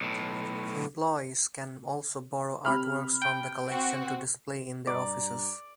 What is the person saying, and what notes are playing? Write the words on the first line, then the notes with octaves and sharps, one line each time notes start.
Employees can also borrow art works from the Collection to display in their offices.
B1 A2
C3 B5 F6
G5
C4 F#4
G2 D5 A#5